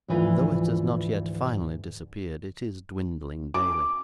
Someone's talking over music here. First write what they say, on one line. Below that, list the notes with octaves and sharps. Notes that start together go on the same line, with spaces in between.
Though it has not yet finally disappeared, it is dwindling daily.
D2 G#2 E3 F3 F4 B4
D6